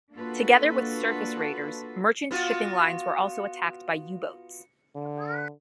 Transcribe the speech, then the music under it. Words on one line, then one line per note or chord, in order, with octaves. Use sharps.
Together with surface raiders, merchant shipping lines were also attacked by U-boats.
A#3 D4 F4 F#4 A4 B4
B3 F4 F#4
D3